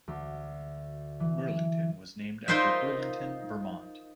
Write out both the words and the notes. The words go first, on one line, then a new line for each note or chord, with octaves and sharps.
Burlington was named after Burlington, Vermont.
D2
E3
D#4 F4 A#4 C5 D#5 E5